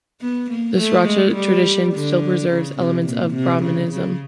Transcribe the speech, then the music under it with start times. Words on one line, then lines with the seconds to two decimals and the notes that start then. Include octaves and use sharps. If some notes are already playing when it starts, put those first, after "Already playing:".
The Srauta tradition still preserves elements of Brahminism.
0.21 B3
0.50 A#3
0.78 A3
1.06 G#3
1.35 G3
1.92 D3
2.49 C#3
2.78 C3
3.06 A#2
3.34 C3
3.63 C#3
3.91 C#3